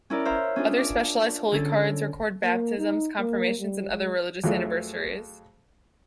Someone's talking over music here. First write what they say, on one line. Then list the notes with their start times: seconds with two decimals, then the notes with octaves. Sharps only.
Other specialized holy cards record baptisms, confirmations, and other religious anniversaries.
0.10 C#4 E4 A#4 D5
0.25 C5 C#5 E5 F5 A#5
0.56 C#4 D4 F4 G#4
0.76 D5 D6
1.52 D3 C#4 A4
2.43 A#3
2.78 D#4
3.19 A#3
3.59 G3
3.91 G#3
4.44 F2 F#3 A3 G#4